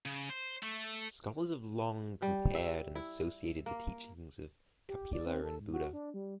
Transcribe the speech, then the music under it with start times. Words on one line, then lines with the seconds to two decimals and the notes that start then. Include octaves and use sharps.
Scholars have long compared and associated the teachings of Kapila and Buddha.
0.06 C#3
0.29 C5
0.63 A3
2.22 G3
2.55 E5
2.95 E4
3.66 A#3
4.89 G4
5.13 D5
5.26 C4
5.43 A4
5.59 G#2
5.74 F#4
5.93 D4
6.14 G3